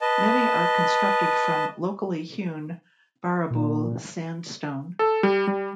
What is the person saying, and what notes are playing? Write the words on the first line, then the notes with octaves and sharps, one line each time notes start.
Many are constructed from locally hewn Barrabool sandstone.
B4 D#5 A5
A#2
A4
G3
G3